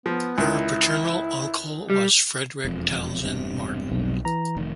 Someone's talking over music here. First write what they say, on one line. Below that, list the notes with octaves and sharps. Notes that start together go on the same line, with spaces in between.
Her paternal uncle was Frederick Townsend Martin.
F3 B3
C#2 D#3 E4
G3
E1 F2
E1 G2 C3
B1
E3 A#5
F1 D#3